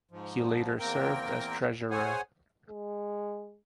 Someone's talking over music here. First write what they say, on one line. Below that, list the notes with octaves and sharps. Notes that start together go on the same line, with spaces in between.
He later served as treasurer.
G#2 F3
E2 A#3 C4 A#4 G5
G#4 C5 C#5 F#5 G#5
G#3